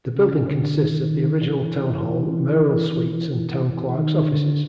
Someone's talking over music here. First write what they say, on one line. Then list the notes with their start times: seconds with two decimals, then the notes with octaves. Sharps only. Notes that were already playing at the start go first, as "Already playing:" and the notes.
The building consists of the original Town Hall, mayoral suites and town clerk's offices.
0.16 C#3
0.48 D3
0.80 D#3
1.43 E3
3.96 D#3
4.29 D3